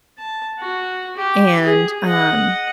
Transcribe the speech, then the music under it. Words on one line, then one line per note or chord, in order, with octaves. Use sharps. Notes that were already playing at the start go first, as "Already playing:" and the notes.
And, um,
A5
F#4
G4
G#4
D#5 F#5